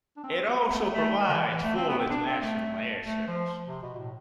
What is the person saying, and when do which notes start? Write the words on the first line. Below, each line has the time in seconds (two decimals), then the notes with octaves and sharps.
It also provides full international air service.
0.16 D4
0.24 C4
0.47 B3
0.59 B3
0.70 A3
0.93 A3
1.17 G#3
1.28 D3
1.33 E3
1.48 E3
1.64 A3
1.76 C4
1.88 B3
1.98 C4
2.10 D4
2.26 C4
2.42 A3
3.04 A3
3.27 F3
3.67 C3
3.82 B2
3.94 B2
3.98 A2